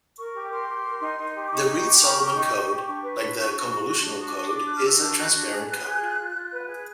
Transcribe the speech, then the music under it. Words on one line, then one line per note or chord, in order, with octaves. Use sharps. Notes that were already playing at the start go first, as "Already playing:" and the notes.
The Reed-Solomon code, like the convolutional code, is a transparent code.
A#4 C#6
G4
A#4 C6
G4
A#4
D#4
D#4
G4
D6
D#4 C#6
G4
G4
A#4
G4
D#4
G4
G4
D4 C#6
B4
D4
D4
F#4
F#4
F#4
D4
F#4 D#6
D6
D4 C#6
D6
D4
F#4 F#6
F6
F#4 E6
D4
F#4 F#6
D4
G#4
B4
G#4
F4
F4
F4
B4
G#4